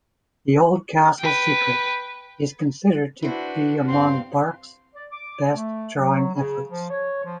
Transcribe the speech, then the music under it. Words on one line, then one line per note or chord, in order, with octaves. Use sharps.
"The Old Castle's Secret" is considered to be among Barks' best drawing efforts.
B4 G5
D4 E4 F#4 B4 C5
G2 C4 F5 C6
D5
D6
A3
F#3
C#3
F3
C#5
F3